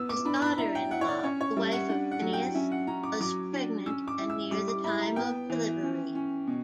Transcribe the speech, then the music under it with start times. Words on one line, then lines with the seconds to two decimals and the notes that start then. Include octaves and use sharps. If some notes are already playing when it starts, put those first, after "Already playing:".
His daughter-in-law, the wife of Phinehas, was pregnant and near the time of delivery.
Already playing: B3 E6
0.09 D6
0.25 D4 B5
0.42 B5
0.52 B5
0.58 E4 A#5
0.75 G5
0.91 E4 F#5
1.01 C#5
1.08 D5
1.23 C#4 C#5
1.41 C#5
1.56 G3 E5
1.73 F#5
1.89 D4 F#5
2.11 F#5
2.22 F#3
2.33 G5
2.55 C#4 E5
2.72 F#5
2.87 C#4 A#5
3.03 D6
3.21 F#3 D6
3.53 D4
3.86 C#4 E6
4.08 D6
4.19 E4
4.30 E6
4.51 G3 D6
4.68 D6
4.84 E4 B5
5.01 A#5
5.16 B3 G5
5.50 E3
5.83 C#4
6.15 C#4
6.47 B2